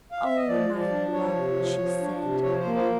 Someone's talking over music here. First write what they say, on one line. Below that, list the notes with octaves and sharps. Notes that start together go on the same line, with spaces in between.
"Oh, my love!" she said.
F5
E5
D#5
F3 D5
F3
D5
D4
F3 C#5
C3
F3
F3
D4
C3
F3 C#5
C5
A#3
C5